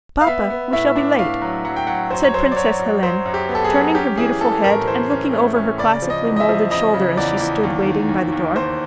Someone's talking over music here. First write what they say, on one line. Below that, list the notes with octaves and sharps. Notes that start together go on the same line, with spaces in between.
"Papa, we shall be late," said Princess Helene, turning her beautiful head and looking over her classically molded shoulder as she stood waiting by the door.
F5
B3 E5
B3
A2 E5
D4
A2 F5
F#3
F#3 F#5
G5
F#3 F#5
F#2 C5
C#5
F#3 C5
D5
F#3 C#5
F#2
F#3 C5
F#2
G4
B3
A4
G#4
F#3
C#4 G4
E3 G#4
E3 A4
A2 A#4
E3 C5
C#4
A3
C#4
C#3 D5
F3
D#5
E2
D#5
E5
F3
C#3 D#5
C#3
E2 D5
E2
D#2
D#3
D#2
D#2
D#2 C5